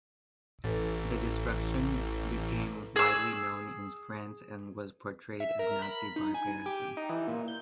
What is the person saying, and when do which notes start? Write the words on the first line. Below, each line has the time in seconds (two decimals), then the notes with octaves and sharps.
The destruction became widely known in France and was portrayed as Nazi barbarism.
0.64 A1 A4 B4
2.96 G#4 E6
5.40 E5
5.59 A#4
5.82 B5
6.16 D#4
6.34 G#5
6.66 G4
6.97 D#4
7.09 E3
7.28 A#2
7.48 G6